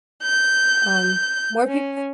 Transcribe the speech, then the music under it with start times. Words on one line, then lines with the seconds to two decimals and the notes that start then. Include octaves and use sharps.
um, more peop
0.22 G6
1.67 C#4